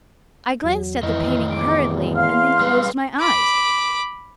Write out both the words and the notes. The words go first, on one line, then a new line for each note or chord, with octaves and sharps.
I glanced at the painting hurriedly, and then closed my eyes.
E2 F#3
F2 A2 D#3 E3 D#5
E2 D6
F5 C6 F6
G3 G#3 B4
B5 D6